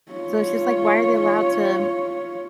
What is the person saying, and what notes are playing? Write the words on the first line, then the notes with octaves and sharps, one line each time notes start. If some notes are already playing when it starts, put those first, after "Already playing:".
so it's just, like, why are they allowed to
F4 C#5